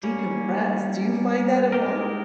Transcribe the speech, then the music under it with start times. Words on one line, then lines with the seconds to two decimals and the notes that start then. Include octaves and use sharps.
decompress." Do you find that at all?
0.03 G3 A#3 C#4
1.72 G#3 D#4 G4 A#4